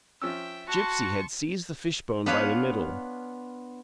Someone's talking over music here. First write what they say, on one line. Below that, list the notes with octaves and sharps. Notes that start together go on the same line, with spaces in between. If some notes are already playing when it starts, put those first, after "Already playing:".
Gipsy had seized the fishbone by the middle.
F3 C#4 E5 G5 E6
F#4 A5 C6 C#6
B3 D4 F4 B4 C#5 F5